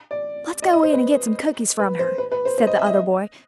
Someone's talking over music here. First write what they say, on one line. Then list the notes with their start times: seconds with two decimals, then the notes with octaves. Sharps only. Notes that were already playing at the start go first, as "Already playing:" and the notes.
"Let's go in and get some cookies from her," said the other boy.
0.11 D5
0.62 D#5
0.73 D#5
0.83 C5
0.93 B4
1.79 B4
1.99 C5
2.18 B4
2.32 B4
2.45 C5
2.58 C5
2.67 D#5
2.78 E5
2.86 D#5